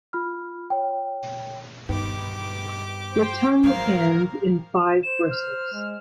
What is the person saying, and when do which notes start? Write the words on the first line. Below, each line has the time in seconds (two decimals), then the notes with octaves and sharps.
The tongue ends in five bristles.
0.13 F4 B5 F6
0.70 C#5 G5
1.89 G2 D#3 B3 D#4 G4 D6
3.10 C5 G5
3.63 G#1 F3 F#3 A#4 C5 F5
5.03 C5 E7
5.31 F6
5.73 G#3